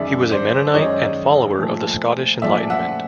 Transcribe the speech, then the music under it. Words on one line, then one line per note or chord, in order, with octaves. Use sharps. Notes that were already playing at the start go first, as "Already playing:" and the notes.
He was a Mennonite and follower of the Scottish Enlightenment.
Already playing: F#2 D#3 G#3 D5 E5
C5 D5
D5
F#2 D#3 G#3 C#5 D#5
A#2 F3 A3
A#2 F3 A3 D5 E5
E5 F#5